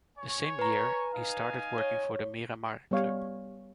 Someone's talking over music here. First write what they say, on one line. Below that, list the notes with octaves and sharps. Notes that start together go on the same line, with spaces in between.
The same year he started working for the "Miramar" club.
C#5 G#5 C#6
B4 A#5
D#4 F5 G#5
C#5
G3 B3 C#5 F5